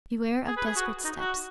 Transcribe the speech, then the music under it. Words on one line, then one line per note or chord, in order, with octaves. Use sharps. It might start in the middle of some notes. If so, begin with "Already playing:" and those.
Beware of desperate steps!
G#4
B4
G#4
F#4
D#4
F#4